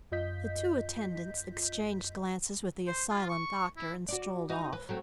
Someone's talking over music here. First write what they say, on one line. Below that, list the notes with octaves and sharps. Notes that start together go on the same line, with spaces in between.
The two attendants exchanged glances with the asylum doctor and strolled off.
F#2 F4 D#5 G6 B6
C5
F4
C#6
E4
F#4 D5
D#4 F#4
B4
F#3 A3 C4